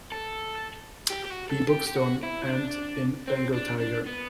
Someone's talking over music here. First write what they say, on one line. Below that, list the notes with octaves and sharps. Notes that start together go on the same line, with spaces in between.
B. Buckstone, and in "Bengal Tiger".
A4
G4
G4
F#4
A4
G4
G4
F#4
E4
E4
D4
C4
D4
D4
B3